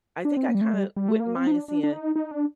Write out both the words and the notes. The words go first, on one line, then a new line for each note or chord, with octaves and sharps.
I think I kinda wouldn't mind seeing
D4
C4
A#3
G3
A3
G3
G3
A3
A#3
C4
D#4
D4
D4
D4
D#4
D#4
D4